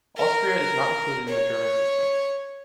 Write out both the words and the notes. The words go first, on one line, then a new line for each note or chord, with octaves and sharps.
Austria is not included in the German system.
A#4
C#5